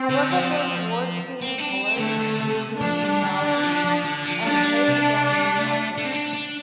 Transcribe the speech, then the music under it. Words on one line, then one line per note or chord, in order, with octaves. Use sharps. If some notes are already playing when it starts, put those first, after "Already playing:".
However, the rewards seem hollow due to G's lethargy and Kate's rejection of him.
Already playing: C4
D3
F3
C4
D4
C4
D3 A3
D3
C3
F3 D4
G3
D3
D3
F3
F3
D3
F3
G3 D4
F3
G3
C3
G3
A3
A3
C4
D4
D4